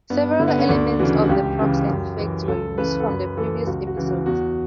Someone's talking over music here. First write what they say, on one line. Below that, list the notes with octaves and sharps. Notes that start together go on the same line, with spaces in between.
Several elements of the props and effects were re-used from previous episodes.
G2 B3
D3
B3
C#4
D2 D4
C#3 E3 F#4
F#4
C#2 G4
C#3 E3
F#2
E3
C#2 A4
C#3 E3 B4
A4
F#2 B4
E3 A4
C#2 F#4
F#4
C#3 E3
F#4
E2 F#4